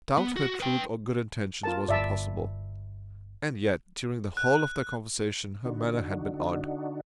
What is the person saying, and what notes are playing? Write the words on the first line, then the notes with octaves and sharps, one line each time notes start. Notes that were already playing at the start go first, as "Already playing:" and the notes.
To doubt her truth or good intentions was impossible; and yet, during the whole of their conversation her manner had been odd.
B3
F#4
B4 G5
F4 A#4 A5
G1 D5 E5 A5
F#6
D3 D4 D#4 F#4